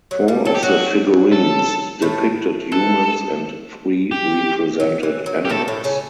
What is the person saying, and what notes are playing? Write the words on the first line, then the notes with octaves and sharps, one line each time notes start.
Four of the figurines depicted humans and three represented animals.
F#3
G3
F#3 A4
G4
F#3 F#4
A4
A2 A3
E3 A4
G4
F#3
E3
F#3
G4
A2 A3 A4
A2 A3
C#3 C#4